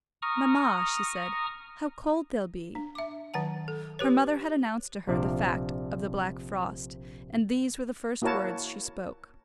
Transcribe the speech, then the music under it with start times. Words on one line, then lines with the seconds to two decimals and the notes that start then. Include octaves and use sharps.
"Mamma," she said, "how cold they'll be!" Her mother had announced to her the fact of the black frost, and these were the first words she spoke.
0.22 A#5 C#6 D#6 F6
2.75 D4
2.95 E5 D6
3.34 D#3 F#3 F#5 A5
3.68 A4
3.99 G4 B4 C#5
5.07 A#1 C3 F3 D4 D5 E5
8.22 A#3 E4 F#4 A#4 C#5 A5